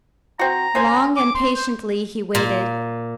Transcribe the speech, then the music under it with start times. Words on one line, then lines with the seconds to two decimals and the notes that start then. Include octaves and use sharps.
Long and patiently he waited.
0.39 C4 F#4 A#5
0.75 C#4 C5 G#5
1.16 D6
1.35 C6
1.56 C5
2.35 A#2